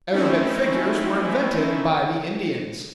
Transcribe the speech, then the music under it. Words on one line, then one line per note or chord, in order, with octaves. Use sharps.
Arabic figures were invented by the Indians.
A3 C4 C#4 D#4 E4